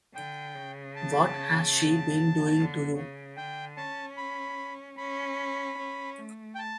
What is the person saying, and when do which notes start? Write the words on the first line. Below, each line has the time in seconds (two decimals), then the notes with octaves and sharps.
What has she been doing to you?
0.14 D3 G5
0.55 C#3
0.96 A5
2.57 D3
2.97 C#3
3.37 D3 G5
3.77 C#4 A5
4.17 B5
4.97 C#4 B5
5.78 C#4
6.18 A3
6.55 G5
6.59 A5